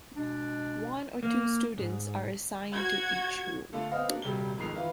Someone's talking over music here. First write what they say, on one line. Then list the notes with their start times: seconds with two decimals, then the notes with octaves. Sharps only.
One or two students are assigned to each room.
0.15 B2 G#3 D4
1.23 A#3
1.78 G#2
2.71 F#4 G#6
3.73 D3 A3 D4 F4 A4
3.91 B3 C4 D#5 F5
4.08 A#3 D4 F#4
4.22 D#1 C3 G3 F#4 G4 G7
4.58 F2 G#2 D#3 C7 F7
4.73 D#3 E3 E4 F4 B4